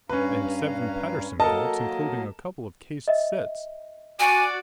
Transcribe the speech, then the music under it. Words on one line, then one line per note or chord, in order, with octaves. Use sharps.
And seven Paterson Colts, including a couple of cased sets.
G2 C#4 B4 F5 A#5
F#3 A#3 A4 A#4 D#5 A5
D#5 E5
F#4 D5 G#5